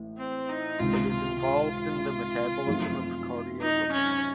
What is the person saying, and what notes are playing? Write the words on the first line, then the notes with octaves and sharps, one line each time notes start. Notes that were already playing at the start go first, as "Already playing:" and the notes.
It is involved in the metabolism of cardiolipin.
Already playing: A1 A2
C4
D#4
C#2 C3 D#3 F4
F4
F4
F#2 F3 A3 C4 D#4
D#4
C#4